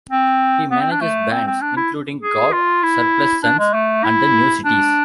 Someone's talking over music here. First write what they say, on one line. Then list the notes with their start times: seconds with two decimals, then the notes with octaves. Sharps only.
He manages bands including Gob, Surplus Sons, and The New Cities.
0.10 C4
0.71 B3
0.81 C4
0.91 D4
1.01 A3
1.31 C4
1.47 C4
1.62 D4
1.77 E4
2.22 G#4
2.53 F4
2.83 E4
3.43 D4
3.59 G#3
3.74 A3
4.04 E4
4.65 D4